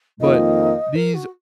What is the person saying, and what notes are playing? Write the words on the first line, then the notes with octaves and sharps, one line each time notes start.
But these
F2 D#3 A#3 F4 D#5
A#4
F#4